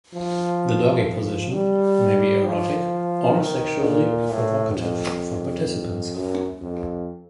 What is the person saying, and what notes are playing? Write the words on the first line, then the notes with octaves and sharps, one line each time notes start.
The doggy position may be erotic or sexually provocative for participants.
F3
F3
G3
F3
D#3
A#2
A2
F2
F#2
F2